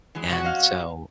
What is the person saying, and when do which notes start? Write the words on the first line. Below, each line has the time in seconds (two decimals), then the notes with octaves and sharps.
And so
0.15 E3 F#3 G#3
0.29 C#4 F4 F#4
0.43 F2 D#5 F5